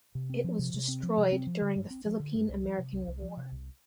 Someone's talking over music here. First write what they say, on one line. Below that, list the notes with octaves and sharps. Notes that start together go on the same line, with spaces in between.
It was destroyed during the Philippine–American War.
C3
C4
F3
C3
C3
C4
F3
C3
C4
F3
D3
G2
C4
F3
D3
G2
C2
F3
C3
C2
C2
F3
C3
C2